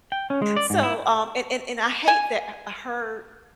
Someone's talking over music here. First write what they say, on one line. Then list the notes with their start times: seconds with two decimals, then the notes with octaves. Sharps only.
so, um, and and and I hate that h her
0.12 G5
0.30 C#4
0.42 G#3
0.56 D5
0.70 G#2
0.83 E4
2.08 G#5